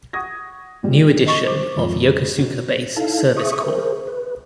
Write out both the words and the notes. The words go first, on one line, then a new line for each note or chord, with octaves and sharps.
New edition of Yokosuka Base Service Corps.
F#5 C#6 D#6 G#6 A#6
A#2 G3 G#3
D#5 C#6 A6
C5 D6
G#1 F2 G7
B2
D#4 E4 A4 F5 A5
G#4 E5 C#6 D#6
G#4 A#4 C5
B4